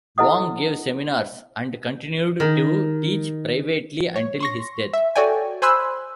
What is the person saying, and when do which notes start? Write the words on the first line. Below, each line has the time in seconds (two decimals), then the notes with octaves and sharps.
Wong gave seminars and continued to teach privately until his death.
0.18 E4 A4 C5 D#5 F#5 D#6
2.40 D#3
4.16 C#5
4.40 C6 C#6 A#6
4.93 E5
5.16 F#4 A4 C#5 D5 G5 G#5
5.62 C5 G#5 B5 C6 E6 F#6